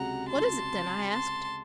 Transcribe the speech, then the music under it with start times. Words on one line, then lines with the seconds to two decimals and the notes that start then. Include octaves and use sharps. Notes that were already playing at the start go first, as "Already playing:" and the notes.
"What is it, then?" I asked.
Already playing: C#2 C3 F#3 F#5 A#5
0.27 A5 C6
1.10 A5 C6